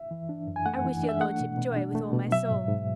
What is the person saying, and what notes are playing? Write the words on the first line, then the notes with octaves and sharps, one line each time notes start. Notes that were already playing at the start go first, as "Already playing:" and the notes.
I wish your lordship joy with all my soul.
Already playing: E5
E3
D4
F#2
G#5
A3 F#5
E3
D4
E5
A3 F#5
B2
B2
D4
A3
B2
F#3 E5
G#2
G#2